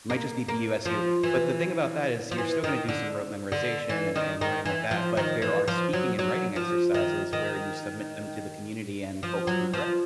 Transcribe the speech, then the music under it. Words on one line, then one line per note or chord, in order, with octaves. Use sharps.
might just be B-U-S-U, but, the thing about that is you're still gonna do some rote memorization and and learning like that, but there are speaking and writing exercises where you submit them to the community and folks can correct you.
A#3
A#3
F3
E3
F3
E3
D#3
D3
D3
E3
D#3
D#3
E3
F3
D#3
E3
F3
F#3
F#3
F3
D#3
D#3
F3
F#3
F3